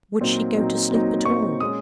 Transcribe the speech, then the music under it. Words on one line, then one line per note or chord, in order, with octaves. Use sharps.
Would she go to sleep at all?
A#2 F#3 C4 D#4
A#2 F#3 C4 D#4
A#2 F#3 C4 D#4
A#2 F#3 C4 D#4 C#6
A#2 G#3 C#4 D#6